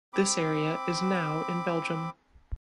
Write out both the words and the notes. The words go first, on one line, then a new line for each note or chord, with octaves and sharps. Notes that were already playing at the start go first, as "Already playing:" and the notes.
This area is now in Belgium.
C4 B5 D6